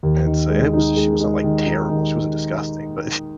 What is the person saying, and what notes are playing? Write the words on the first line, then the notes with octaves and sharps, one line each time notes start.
And, so and it was she wasn't, like, terrible. She wasn't disgusting, but,
D#2
D#3
G#3
D#4
G#3
G#3
D#3
D#4
D#3